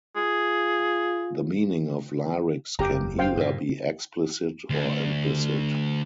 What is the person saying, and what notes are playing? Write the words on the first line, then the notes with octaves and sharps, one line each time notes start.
The meaning of lyrics can either be explicit or implicit.
F4 G#4
F#1 E2 G4 A#5
C5 F5 G5
G2 A#2
D2